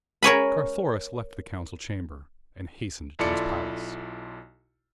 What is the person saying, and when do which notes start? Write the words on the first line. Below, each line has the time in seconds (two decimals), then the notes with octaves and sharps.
Carthoris left the council chamber, and hastened to his palace.
0.23 A#4 C#5 G#5 B5
3.19 B1 E4 F4 A4 D5 C#7